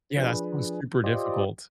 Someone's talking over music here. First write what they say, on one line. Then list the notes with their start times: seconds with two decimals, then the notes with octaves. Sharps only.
Yeah, that sounds super difficult.
0.17 F3 D4 G#4 B4
1.04 F4 G4 C5 D5 D#5